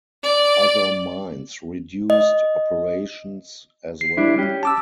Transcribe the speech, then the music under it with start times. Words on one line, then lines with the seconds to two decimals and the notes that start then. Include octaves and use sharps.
Other mines reduced operations, as well.
0.23 D5
2.10 D#5
4.01 C7
4.17 G3 D4 E4
4.38 C#4 G4
4.63 A5 D6 E6